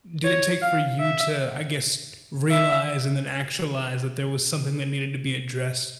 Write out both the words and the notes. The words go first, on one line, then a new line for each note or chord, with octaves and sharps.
did it take for you to, I guess, realize and then actualize that there was something that needed to be addressed?
C#5
F5
E5
E5